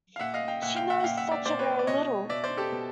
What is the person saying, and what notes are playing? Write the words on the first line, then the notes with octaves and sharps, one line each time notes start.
She knows such a very little!
F5
A#2 E5 F#5
D#5 F5
F5 G5
A#2 E5 F#5
F5 G5
E5 F#5
F#5
A#2 F5 G5
E5 F#5
D5 E5
A#2 C5 D5
B4 C#5
D5
B2 C#5 D#5
B2 D5 E5
C5 D5
G4 A4
B2